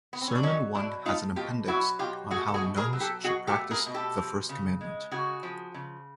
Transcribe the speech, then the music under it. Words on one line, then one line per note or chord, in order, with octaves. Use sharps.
Sermon One has an appendix on how nuns should practice the first commandment.
B3
C4
C#4
D4
F#3 C#4 D#4
B2 D4 E4
A3 D#4 F4
B2 F4 G4
F#3 E4 F#4
B2 F4 G4
A3 F#4 G#4
A4
F#4 G#4
B2
G#4 A#4
F#3
G4 A4
B2 F#4 G#4
G4 A4
A3
G#4 A#4
B2
G4 A4
F3
C#3
G#3
C#3 F#4 G#4
F3
C#3